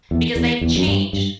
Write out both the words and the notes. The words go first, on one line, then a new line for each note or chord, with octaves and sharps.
because they've changed
E2
E2
E2
F#2
G2
G2